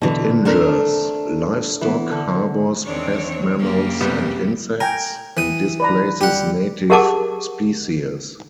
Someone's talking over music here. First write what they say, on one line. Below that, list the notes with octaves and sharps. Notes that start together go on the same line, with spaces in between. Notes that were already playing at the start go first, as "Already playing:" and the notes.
It injures livestock, harbors pest mammals and insects, and displaces native species.
B2 D3 E3
A3 C4 D4 A#4
E3 B3
D3
E2 D#3 C4 D4 C#5
F#2 C#3 A#3 G4
C2 G3 B3
A#4 G5 G#5 A#5
E3 D#6
B4 D5 A#5
G3 G4 F#5
G4 G#4 A#4 F#5 A5 D6